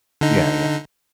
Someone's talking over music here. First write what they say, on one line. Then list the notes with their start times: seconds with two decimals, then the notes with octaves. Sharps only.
Yeah, yeah.
0.21 D3 D#4